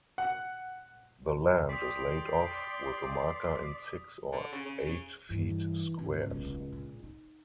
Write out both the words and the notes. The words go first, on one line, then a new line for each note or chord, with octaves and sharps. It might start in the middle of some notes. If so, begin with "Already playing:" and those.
The land is laid off with a marker in six or eight feet squares.
F#5
D5 G5 C6 D#6 B6
D3
C#3
C#3
C#3
G2 E3
C#2 G#2 B2
D1 B1
A#2
D#4